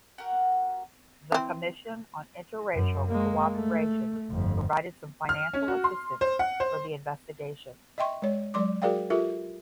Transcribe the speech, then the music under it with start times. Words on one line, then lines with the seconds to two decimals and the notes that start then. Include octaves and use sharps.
The Commission on Interracial Cooperation provided some financial assistance for the investigation.
0.18 F#4 G4 A#4 F#5
1.32 E3 C4
2.74 F#2
3.09 G#3 A#3
3.55 A3
4.30 G1 F2
5.29 F6
5.54 C#4
5.68 F#4
5.84 C6
6.21 C5
6.39 F#5
6.60 C5
7.98 D#5 E5 G5 C6 C#6
8.22 G#3 C#5
8.54 F#3 G#3 D5 C6 D6
8.82 F#4 G#4 A#4 D5 F5 G5
9.10 F4 G4 A4 A#4 E5